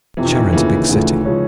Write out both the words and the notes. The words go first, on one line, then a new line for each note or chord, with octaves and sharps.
Charin's a big city.
F2 C3 E3 F3
D#3
E3
D2 C#3 E3 F3 A#3
D2 C#3 F3 A3
C#3 F3 G#3 C#4